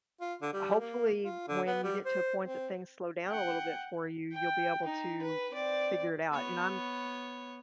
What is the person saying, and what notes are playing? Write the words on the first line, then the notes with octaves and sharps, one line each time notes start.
hopefully when you get to a point that things slow down a little bit for you, you'll be able to figure it out, and I'm
F4
D3
G3
A#3
F4
D3
B3
G3
C5
C4
F#5 G5
G5
D#4
B4
C4 D5
B3 C#5